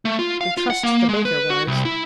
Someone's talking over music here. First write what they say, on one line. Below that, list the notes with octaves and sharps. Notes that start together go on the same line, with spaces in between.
We trust the baker was.
A3
F4
F5
F4
F#5
A#3
G#3
B4
F#4
C2
E4